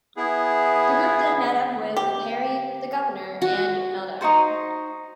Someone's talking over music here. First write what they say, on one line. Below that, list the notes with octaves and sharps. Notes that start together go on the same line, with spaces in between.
The group then meet up with Peri, the Governor, and Meldak.
B3 E4 G#4
G4
F#4
D#4 E4 F#4 C5